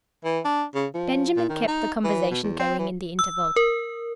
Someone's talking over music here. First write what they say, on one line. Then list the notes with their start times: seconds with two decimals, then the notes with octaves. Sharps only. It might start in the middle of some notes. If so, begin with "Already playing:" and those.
Benjamin kept the conversation going in the interval.
0.25 E3
0.45 D4
0.75 C#3
0.94 F3
1.37 A#2
1.49 D#3
1.67 D#4
2.04 E3
2.31 B2
2.43 E2
2.59 C4
2.79 E3
3.19 E6
3.56 A#4